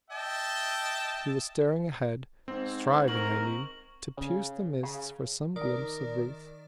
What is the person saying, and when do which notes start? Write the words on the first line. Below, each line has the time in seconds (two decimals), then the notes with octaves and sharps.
He was staring ahead, striving, I knew, to pierce the mists for some glimpse of Ruth.
0.11 D#5 E5 G5 A5
2.48 G#2 C4
3.08 A#4 C#6 F#7
4.18 C#3
4.83 C#3
5.56 D#3 A#4 D5